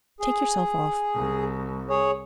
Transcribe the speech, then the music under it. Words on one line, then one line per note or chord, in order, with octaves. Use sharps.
Take yourself off.
G#4
C2
G#4 C#5